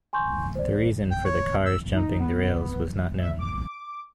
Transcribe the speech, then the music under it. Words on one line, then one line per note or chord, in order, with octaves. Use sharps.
The reason for the cars jumping the rails was not known.
G#5 C6 C#6 G6
C5 D5
G5
C#5
E6
D#4
B3
E5
D6